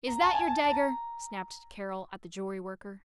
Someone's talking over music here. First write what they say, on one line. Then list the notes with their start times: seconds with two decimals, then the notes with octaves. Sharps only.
"Is that your dagger?" snapped Carroll at the jewelry worker.
0.07 A#5
0.21 A5
0.34 G#5
0.48 A5
0.64 A5
0.72 A#5